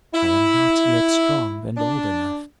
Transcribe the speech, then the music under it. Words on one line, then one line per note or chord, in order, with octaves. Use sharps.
I am not yet strong and old enough.
E4
D4